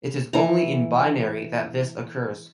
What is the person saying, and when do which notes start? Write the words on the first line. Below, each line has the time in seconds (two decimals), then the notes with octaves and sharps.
It is only in binary that this occurs.
0.33 E3 A#5